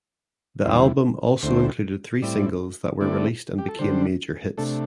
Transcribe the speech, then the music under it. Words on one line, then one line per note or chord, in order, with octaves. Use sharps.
The album also included three singles that were released and became major hits.
E2 D3 G3 E4 C5
D2 D3 A3 C4 E4 C5
A2 G3 C4 E4 D5
D3 A3 C4 E4 D5
G4
A4
D3 G3 D4 C5
C3 A3 D4 A4